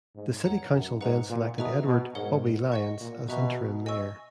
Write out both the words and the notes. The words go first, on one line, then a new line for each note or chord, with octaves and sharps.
The city council then selected Edward "Bubby" Lyons as interim mayor.
G#2
E2 C#5 F#5 A#5
F#2
G#2 B4 F#5 A#5
A#2
B2 B4 E5 A#5 D#6
B2
G#2 A#4 C#5 F#5
D#5 F#5 C#6
A#2
B2 B4 E5 A#5 C#6
D#5 G#5 C#6 E6